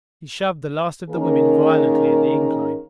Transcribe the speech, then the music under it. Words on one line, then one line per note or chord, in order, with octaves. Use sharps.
He shoved the last of the women violently at the incline.
D#3 A#3 C#4 G#4 A#4